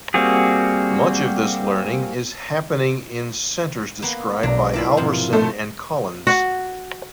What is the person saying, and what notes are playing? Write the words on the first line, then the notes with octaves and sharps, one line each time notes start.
Much of this learning is happening in centers described by Halverson and Collins.
G3 A#3 C4 F#4 G#4
A#3 B3
B1 D4 A#5
A#3 E4 F4 D5 A5 B5
G#2 C3 F3
A3 C5
F#4